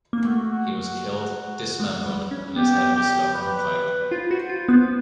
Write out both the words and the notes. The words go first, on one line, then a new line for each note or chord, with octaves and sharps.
He was killed, dismembered and his head stuck on a pike.
A#3
A3 F#4
G#3
G3
C#4
B3 G4
G4
B4
F4 C5
F#4
F4
B3